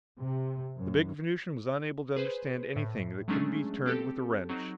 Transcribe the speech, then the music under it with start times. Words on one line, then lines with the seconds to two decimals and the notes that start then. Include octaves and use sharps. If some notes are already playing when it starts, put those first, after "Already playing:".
The big Venusian was unable to understand anything that couldn't be turned with a wrench.
0.18 C3
0.77 F#2
2.16 G#4 B4 C5
2.76 A2
3.28 F#3 G#3 A3 C#4 D4 G#4
3.86 C4 G4 A4
4.49 F#3 C4 D#4